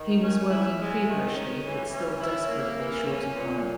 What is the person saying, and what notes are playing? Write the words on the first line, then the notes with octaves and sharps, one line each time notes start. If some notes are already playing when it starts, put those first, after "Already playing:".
He was working feverishly but still desperately short of money.
Already playing: D#3
C#4
E4
G#3
D#3
C#4
E3
C#4
E4
A#3
E3
C#4
A#2